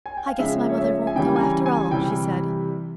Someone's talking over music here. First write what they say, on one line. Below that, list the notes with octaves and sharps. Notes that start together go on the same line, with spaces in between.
"I guess my mother won't go, after all," she said.
G#5
G5
F5
C#3 F3 G#3 E5
C#5
E5
G#5
C#3 E3 G3 G5
G#5
A#5
G#5
C3 E3 G3 G5